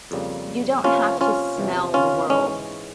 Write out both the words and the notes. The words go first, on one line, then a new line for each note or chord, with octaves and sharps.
You don't have to smell the world!
F2 C#3 G3 A#3
C3 F3 A#3 C#4 F4
C#4 F4
E2 C3 E3
C#4 F4
G#2 E3 G#3 C#4